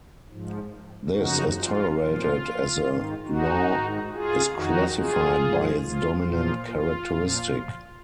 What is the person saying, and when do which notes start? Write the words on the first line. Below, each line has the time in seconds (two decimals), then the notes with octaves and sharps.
This is tolerated, as a law is classified by its dominant characteristic.
0.29 G#2 F3
1.14 F#2 C#3 F3 D#4 F#4
1.57 F4
2.00 A#2 F3 F4
2.84 G#2 D#3
3.27 D#4 F#4
3.69 G#2 D#3
4.12 F4 G#4
4.54 F2 D#3 D#4 F#4
4.97 F4 G#4
5.39 G#2 F3
5.81 F4
6.24 A#2 F3 F4
6.67 F4
7.09 A#2 F3